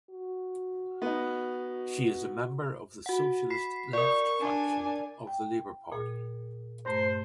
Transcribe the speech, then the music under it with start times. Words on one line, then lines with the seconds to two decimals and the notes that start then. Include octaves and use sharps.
She is a member of the Socialist Left faction of the Labor Party.
0.10 F#4
1.02 B3 D#4
3.06 F#4 F#5
3.50 B5 B6 C7
3.93 A#4 D5 C#6
4.39 D4 G#5
5.27 G5
5.92 A#2 G#4
6.86 G2 A3 C5 A#5